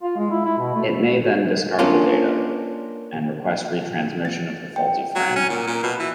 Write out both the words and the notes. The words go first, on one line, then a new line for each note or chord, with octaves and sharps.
It may then discard the data, and request retransmission of the faulty frame.
F4
G#3
E4
E4
B2
A3
A#3 C#4 D4 F4
A6
G5
F#3
C#4
A#2
A#2
B2
E3